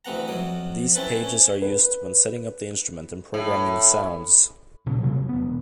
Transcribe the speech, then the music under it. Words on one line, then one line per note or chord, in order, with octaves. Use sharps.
These pages are used when setting up the instrument and programming sounds.
D2 E3 C4 F#5 A#5
F2 F#3 D#6
C4 C#4 E4 A4 B4
C#4
B4
A2
A#2 C#3 F#3
C3 F#3 A#3 C4
E1 B3